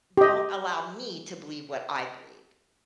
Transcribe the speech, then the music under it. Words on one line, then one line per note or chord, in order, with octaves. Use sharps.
don't allow me to believe what I believe,
G4 D#5